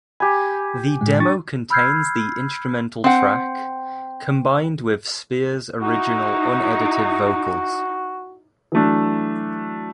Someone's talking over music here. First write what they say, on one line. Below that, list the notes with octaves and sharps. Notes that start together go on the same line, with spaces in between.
The demo contains the instrumental track, combined with Spears' original unedited vocals.
G4 G#5 B5
A2 G#3
D4 C#6 A6
B5 E6 F6 G6 G#6 C7
C4 F#5
D#4 E4 F#4
E3 F#3 A3 D4